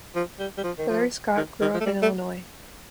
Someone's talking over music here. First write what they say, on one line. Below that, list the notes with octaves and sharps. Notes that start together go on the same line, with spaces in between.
Hillary Scott grew up in Illinois.
F3
G3
G3
F3
D#3
F3
D#3
D#3
F3
A3
G3
A3